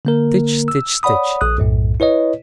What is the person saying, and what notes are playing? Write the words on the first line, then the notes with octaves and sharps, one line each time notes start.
Stitch, stitch, stitch.
D3 A#3 A#4
E6
C#5 D5 F#5 B5 D#6
A#1 D#6 F#6
B1 F#2 A2
E4 B4 C#5 D#5